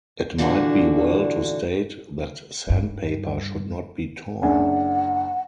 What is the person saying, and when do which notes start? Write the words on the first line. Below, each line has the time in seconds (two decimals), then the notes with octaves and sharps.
It might be well to state that sandpaper should not be torn.
0.38 A#2 D3 E3 D4 F#4
2.70 G2
4.42 F#1 D4 F#5 G#5